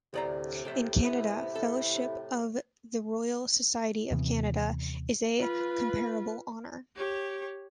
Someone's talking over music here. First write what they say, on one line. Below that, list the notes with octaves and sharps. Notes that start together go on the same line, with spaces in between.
In Canada, Fellowship of the Royal Society of Canada is a comparable honour.
D2 A2 C3 D5 A#5
G4 A4 E5
B3 E4
A4
D#2 C3 E3 B3
F4 B4
G4 C#5